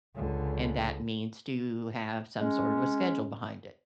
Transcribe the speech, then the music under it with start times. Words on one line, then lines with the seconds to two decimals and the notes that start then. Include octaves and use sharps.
and that means to have some sort of a schedule behind it.
0.15 C#2 D3
2.40 G#3 C#4